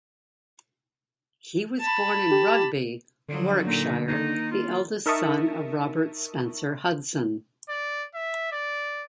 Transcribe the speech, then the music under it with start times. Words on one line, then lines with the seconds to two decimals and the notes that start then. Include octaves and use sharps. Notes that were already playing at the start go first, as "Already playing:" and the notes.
He was born in Rugby, Warwickshire, the eldest son of Robert Spencer Hudson.
1.80 A5 B5
2.31 G4
3.28 D3 F3 F#3
3.67 A#2 A#3 D#4
4.07 D#3 D#4
4.51 F4
5.06 D#4 A#4 E5 A5 C#6 D#6
7.69 D5
8.14 E5
8.52 D5